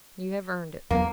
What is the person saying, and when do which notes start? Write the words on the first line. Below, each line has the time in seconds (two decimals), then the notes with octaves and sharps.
You have earned it.
0.91 E2 F#3 A#3 B3